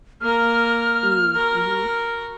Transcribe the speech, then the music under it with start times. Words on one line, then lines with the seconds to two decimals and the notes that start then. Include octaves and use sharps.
Mm, mhm.
0.21 A#3 A#4 F6
1.34 F#4 A#4